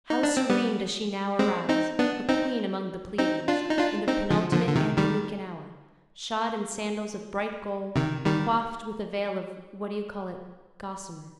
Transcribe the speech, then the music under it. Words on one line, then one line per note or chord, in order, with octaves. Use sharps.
How serene does she now arise, a queen among the Pleiades, in the penultimate antelucan hour, shod in sandals of bright gold, coifed with a veil of what do you call it gossamer.
D#4
D4
C4
G3 B3
G#3 C4
C4 D#4
B3 D4
C4 D#4
C4 D#4
D4 F4
D#4
D4 F4
C4 D#4
D3 F3
D3 F3
D3
C3 D#3
D#3 G3
C3 D#3
D#3 G3